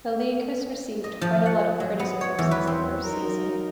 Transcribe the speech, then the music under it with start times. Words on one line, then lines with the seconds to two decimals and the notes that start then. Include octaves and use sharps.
The league has received quite a lot of criticism since the first season.
1.04 D#5
1.21 F3
1.46 F#5
1.80 F#3
1.99 B3
2.21 C#5
2.39 E2
2.51 B4
2.67 C4
3.03 F#3 D#4 A#4